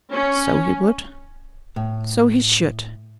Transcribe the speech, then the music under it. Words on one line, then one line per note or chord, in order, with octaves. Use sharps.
'So he would; so he should!
C#4
A2